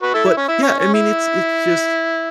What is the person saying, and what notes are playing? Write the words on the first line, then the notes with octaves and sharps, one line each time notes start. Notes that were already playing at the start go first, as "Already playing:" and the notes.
but, yeah, I mean, it's it's just
F#4 B4
E4 A4
E4
C#4
E4
C#4
C#4
E4